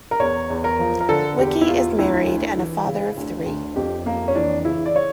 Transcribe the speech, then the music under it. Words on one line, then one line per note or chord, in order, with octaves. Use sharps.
Wicki is married and a father of three.
A#4
E2 C#5
E2
A#4
F3
A#4
D3 A4
E2 G4
E4
E2 F4
D2 E4
D2
E3
C#3
D2
D2
F2 G4
F2 A#3
C#4
E3 D4
C#3 E4
D5
C#5